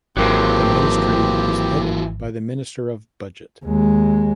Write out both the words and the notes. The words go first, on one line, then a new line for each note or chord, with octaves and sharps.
The Ministry is headed by the Minister of Budget.
G#1 E3 F#3 A#3 C4 F4 G4
D#2 G#3